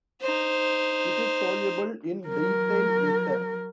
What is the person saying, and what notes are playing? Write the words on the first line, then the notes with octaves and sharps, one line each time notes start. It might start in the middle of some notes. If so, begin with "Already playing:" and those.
It is soluble in diethyl ether.
D#4 C5
F#3 A#4